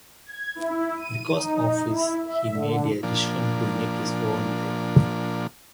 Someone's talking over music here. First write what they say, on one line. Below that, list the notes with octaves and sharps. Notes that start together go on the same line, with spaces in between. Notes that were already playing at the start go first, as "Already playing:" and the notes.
Because of this, he made a decision to take his own life.
G#6
E4
D#7
D#4
E4
E5
D3
A#2 F3 D4